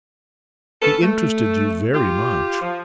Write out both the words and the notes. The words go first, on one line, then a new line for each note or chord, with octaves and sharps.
He interested you very much.'
B3 C#4 A4
A3
F4 G4
F3